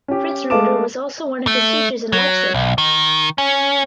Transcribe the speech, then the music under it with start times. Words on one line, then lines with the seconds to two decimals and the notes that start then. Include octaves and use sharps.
Fritz Reuter was also one of his teachers in Leipzig.
0.08 C#4 G4
0.50 G#3 A3 F5 A5 D6 E7
1.47 A3
2.13 F#3
2.54 B1
2.78 D#3
3.38 C#4